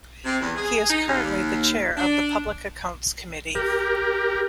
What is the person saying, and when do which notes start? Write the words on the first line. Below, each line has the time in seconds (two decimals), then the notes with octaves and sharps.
He is currently the Chair of the Public Accounts Committee.
0.25 C3
0.40 E2
0.56 G#4
0.87 D#4
1.07 D#2
1.97 D4
3.55 G4 A#4